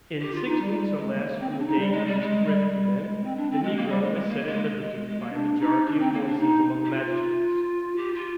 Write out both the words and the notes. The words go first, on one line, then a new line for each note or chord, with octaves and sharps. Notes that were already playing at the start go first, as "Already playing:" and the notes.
In six weeks or less from the date of this terrific event, the negro was set at liberty by a majority of voices among the magistrates.
G4
F4
D#4
G3
G#3
G3
G#3
A#3
C4
C4
D4
D#4
G3
G#3
G3
G#3
G3
G3
G#3
C4
D4
C4
G#3
A#3
G3
G#3
G#3
A#3
G#3
G#3
G#3
G#3
G#3
A#3
D4
D#4
D4
C4
A#3
D4
D#4
G4
F4
G4
F4